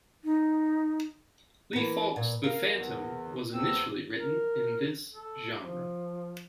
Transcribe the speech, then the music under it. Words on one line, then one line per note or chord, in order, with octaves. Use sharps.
Lee Falk's "The Phantom" was initially written in this genre.
D#4
E3 A#4
A#2
A#4 F5
E2
E2 C4 E6
A#4
A4
F3